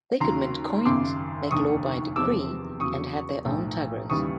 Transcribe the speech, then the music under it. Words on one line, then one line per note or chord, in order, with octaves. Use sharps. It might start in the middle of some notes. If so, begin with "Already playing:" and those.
They could mint coins, make law by decree, and had their own tughras.
D#2 C#3 F#3 A#5 C6
G#1 F#2 C#3 C6 D6
F1 D#2 D3 C#6 D#6
E2 C3 F3 D6 E6
E2 C#3 F#3 C#6 D#6
B1 A2 F3
D#2 C#3 E3 G3 C#6 D#6